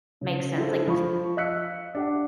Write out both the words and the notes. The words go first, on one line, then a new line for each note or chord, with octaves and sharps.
Makes sense, like,
C#3
D4 E4 F4 G#4 A4 C5
F3 B5 C#6
D#5 F5 E6 F#6 B6 C#7
D4 G4 F#5